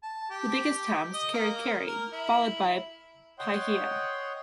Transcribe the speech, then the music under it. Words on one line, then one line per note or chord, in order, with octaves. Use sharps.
The biggest town is Kerikeri, followed by Paihia.
A5
G4
D#5
A#3
A#4
E4
C#5 D#5 F#5 G5 C6